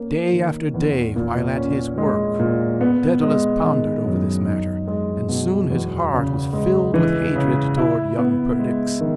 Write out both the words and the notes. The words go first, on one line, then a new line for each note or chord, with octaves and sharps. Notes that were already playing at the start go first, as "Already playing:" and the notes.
Day after day, while at his work, Daedalus pondered over this matter, and soon his heart was filled with hatred towards young Perdix.
Already playing: A#3 C#4
D#3
E2
A#2
C#4
G#3
A#2
B3
G#3
D#3
F#2
D#4
G#3
B2
E2
C#3
G#3
E3
C#3
E4
B3
G#3
D#3